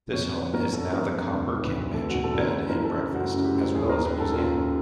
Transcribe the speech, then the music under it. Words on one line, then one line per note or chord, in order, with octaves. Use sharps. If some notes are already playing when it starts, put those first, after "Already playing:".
This home is now the Copper King Mansion bed-and-breakfast, as well as a museum.
F2 C#5
D3 B4
F2 A#4
D3 A4
F2 A#4
F2 B4
D2
D#3
B4
D2
D2 A4
F#4
D2
A4
D2 A#4
F#2 B4
E3 A#4
A4
C#3
F#2 F#4
F#2
G4
F#2
D#2 G#4
A#4
D#2
B4
D#3 A4
D#2 F4
D#2